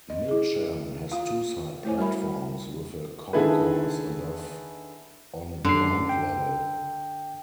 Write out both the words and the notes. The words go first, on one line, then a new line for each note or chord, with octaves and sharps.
Mitcham has two side platforms with a concourse above on ground level.
D#5
E4 G#4
F4 F5
A3 E4 C5 C#5 G#5
G3 F#4 A#4 E5 B5
D3 D#3 E4 G#4 A4 B4
F#2 D3 C7
G5